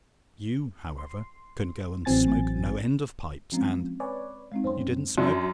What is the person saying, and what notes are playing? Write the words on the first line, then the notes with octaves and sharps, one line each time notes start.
You, however, can go and smoke no end of pipes and--YOU DIDN'T SMOKE?
C6
A1 E3 F#3 C4 G#5 A6
F3 G#3 C4 C#4
B4 C#5 D5 G#5
G#3 C4 D#4
F#2 C4 C#4 C5 C6
F#2 D4